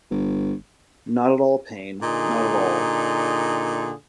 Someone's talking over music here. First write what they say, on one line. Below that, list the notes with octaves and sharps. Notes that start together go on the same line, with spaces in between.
Not at all, Payne, not at all.
G1
A#2 D3 D#4 G#4